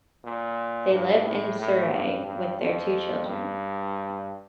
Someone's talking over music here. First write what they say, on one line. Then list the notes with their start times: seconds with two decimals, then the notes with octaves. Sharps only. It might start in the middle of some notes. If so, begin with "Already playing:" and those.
They live in Surrey with their two children.
0.25 A#2
0.92 G2
1.25 A2
1.59 A2
1.92 G2
2.26 G2
2.59 F2
3.26 G2